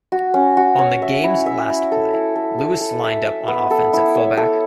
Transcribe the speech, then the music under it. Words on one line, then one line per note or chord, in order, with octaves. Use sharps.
On the game's last play, Lewis lined up on offense at fullback.
F#4
C#4
F#4
C#5
E5
E4
E5
E4
A4
E4
A4
A4
A4
E5
E5
B3
A4
E4
C#5
A4